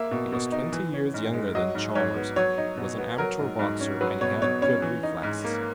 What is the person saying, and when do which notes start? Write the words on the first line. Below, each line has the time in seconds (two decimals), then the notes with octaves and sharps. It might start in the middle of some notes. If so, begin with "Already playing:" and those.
He was twenty years younger than Chalmers, he was an amateur boxer, and he had good reflexes.
Already playing: A#3 E5
0.11 B2
0.32 B2
0.52 D#4
0.72 E3
0.94 C#4
1.14 G#2
1.34 G#3
1.55 F#3 D#5
1.75 G#2
1.95 G#2 C#5
2.16 B3
2.36 F#3 C#5
2.58 D#4
2.77 B2
2.98 B3
3.18 F#3 A#4
3.39 G#2
3.59 G#2
3.80 C#4
4.01 F#3 B4
4.21 B2 C#5
4.42 B2 C#5
4.62 C#4 C#5
4.82 E3
5.03 D#4
5.23 G#2
5.44 A#3